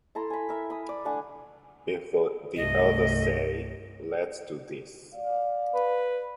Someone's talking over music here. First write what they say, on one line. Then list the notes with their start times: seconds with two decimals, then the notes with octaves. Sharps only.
If the others say let's do this ...
0.15 E4 A4 A#5 C6
0.30 G#5 B5
0.49 A#4 E5
0.70 B5 D#6
0.89 D5
1.05 A3 D4 F#5 G#5
2.56 C2 G2 A3 D#5
5.15 D5 F5
5.74 B4